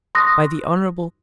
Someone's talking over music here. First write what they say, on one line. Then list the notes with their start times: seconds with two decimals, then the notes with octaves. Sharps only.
By the Hon.
0.15 C6 C#6 D#6 E6 F#6 A#6